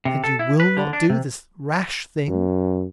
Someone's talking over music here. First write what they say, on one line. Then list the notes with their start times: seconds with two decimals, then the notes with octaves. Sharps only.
"And you will not do this rash thing?"
0.05 C3
0.24 A4
0.39 E4
0.60 B4
0.77 D3
0.93 D4
1.10 C3
2.28 F#2